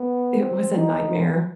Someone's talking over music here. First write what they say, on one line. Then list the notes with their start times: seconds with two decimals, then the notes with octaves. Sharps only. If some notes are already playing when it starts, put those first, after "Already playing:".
it was a nightmare.
Already playing: B3
0.41 C4
0.78 D#4